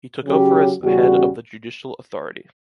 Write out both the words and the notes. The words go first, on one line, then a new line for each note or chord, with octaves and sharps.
He took over as head of the judicial authority.
C#3 F#3 C#4 G4
E2 C#3 G3 C#4 F#4